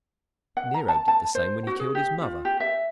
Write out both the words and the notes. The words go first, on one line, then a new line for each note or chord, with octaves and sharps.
Nero did the same when he killed his mother.
F#5
A#5
A5
A5
C5
F#4
G#4
G4
F4
G4
E5